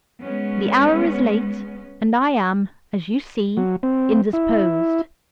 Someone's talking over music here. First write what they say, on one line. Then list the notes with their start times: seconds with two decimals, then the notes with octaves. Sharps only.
The hour is late, and I am--as you see--indisposed.
0.22 G#3 B3 C#4
3.57 F#3
3.83 C4
4.33 E4